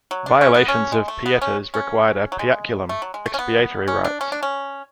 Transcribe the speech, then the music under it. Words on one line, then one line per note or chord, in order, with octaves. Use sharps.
Violations of "pietas" required a "piaculum", expiatory rites.
F#3
D4
C#4
B3
C#4
G#3
A3
B3
C#4
C#4
F#3
G#3
A3
F#3
G#3
A3
C#4
B3
C#4
D4
C#4
D4
C#4